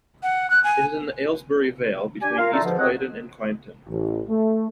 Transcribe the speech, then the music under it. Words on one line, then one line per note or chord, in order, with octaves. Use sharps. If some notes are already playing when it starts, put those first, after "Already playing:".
It is in the Aylesbury Vale, between East Claydon and Quainton.
F#5
F#6
G#5
D4 G4 G#5
F4 A#4 F5
A3 D4 D#4 F4 A4
G#2 B2 D3 F3
F2 C3 C4 C#5 D#5 F#5
A1
A3